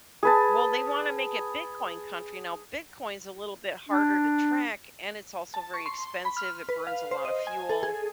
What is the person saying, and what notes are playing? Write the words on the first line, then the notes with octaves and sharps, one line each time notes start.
Well, they want to make it bitcoin country. Now, Bitcoin's a little bit harder to track, and it's also very expensive, it burns a lot of fuel.
G#4 B4 A5
D4
A5
C#6
C6
B5
F6
B4
F5
C5
D#5
G#5
A4
G#4